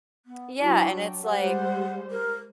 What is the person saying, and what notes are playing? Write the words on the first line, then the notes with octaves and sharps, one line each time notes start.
Yeah, and it's like
B3
F#3 D4 E4
G5
G3 G#3 C5 F#5
A#4